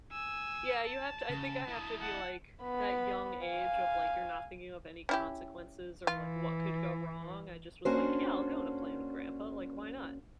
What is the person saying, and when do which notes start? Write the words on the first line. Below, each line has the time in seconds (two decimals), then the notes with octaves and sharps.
Yeah, you have to I think I have to be, like, that young age of, like, you're not thinking of any consequences, or, like, what could go wrong. I just was, like, "Yeah, I'll go on a plane with grandpa," like, "Why not?"
0.12 G#5 E6
0.85 A5
1.30 C#3
1.68 E4 D#5
2.00 F#5 A5
2.63 B3 B5
3.46 F5 G#5
5.09 C#4 E4 G4
6.07 E3 F4
7.85 A#3 C#4 D4 F#4 C5